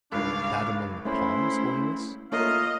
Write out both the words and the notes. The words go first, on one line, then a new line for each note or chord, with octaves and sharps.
"That among the palms, Holiness?"
G#1 C#2 G2 D4 F5
A3 C#4 E4 C5 B5
A3 A#3 F4 A#4 C#5 D#5 F5